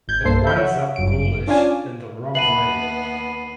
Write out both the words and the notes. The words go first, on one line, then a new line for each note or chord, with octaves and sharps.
It winds up ghoulish in the wrong way.
G#1 G6 G#6
B1 G2 A#3 A4 C5 C7
A4 E5 G6
C#5 E5 F#5
G1 F#2 D7
C#4 D4 F4 D5 F5 G#5
D#2 B3 B4 E5 A5 C7 D#7 F#7